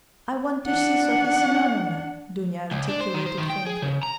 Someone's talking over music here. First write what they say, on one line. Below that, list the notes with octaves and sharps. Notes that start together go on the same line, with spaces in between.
"I want to see Sofya Semyonovna," Dounia articulated faintly.
D4 F#5
C#2
D4
C5
D#3
C5
D#3
G5
G#4
C#3
A#5